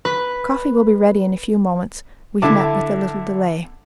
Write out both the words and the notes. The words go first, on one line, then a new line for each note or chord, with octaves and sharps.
"Coffee will be ready in a few moments. We've met with a little delay."
B4
D3 E4 E5 A5 D6